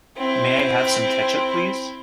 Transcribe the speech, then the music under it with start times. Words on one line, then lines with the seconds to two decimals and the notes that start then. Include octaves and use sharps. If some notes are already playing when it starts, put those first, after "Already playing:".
May I have some ketchup, "please"?
0.17 C4 E4